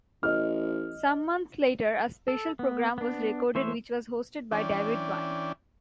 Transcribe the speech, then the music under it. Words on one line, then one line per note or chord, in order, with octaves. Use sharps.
Some months later, a special programme was recorded which was hosted by David Vine.
A1 D#5 F6
A4
B3
B3 D4
E3 A3 C5 C#5 E5
E3 C#4 D4 D5 G5